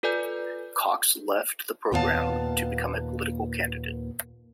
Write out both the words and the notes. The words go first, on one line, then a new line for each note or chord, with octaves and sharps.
Cox left the programme to become a political candidate.
F4 A4 B4 D5 G#5 G6
D#2 A#2 B3 A4 F5 A5